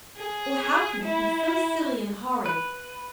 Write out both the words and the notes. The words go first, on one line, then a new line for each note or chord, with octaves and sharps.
Oh, how could you be so silly and horrid?
G#4
E4
B4